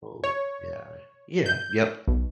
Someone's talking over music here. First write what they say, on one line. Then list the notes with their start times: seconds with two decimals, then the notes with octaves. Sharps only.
Oh yeah, yeah, yep,
0.24 C#5
1.46 G6
2.08 B1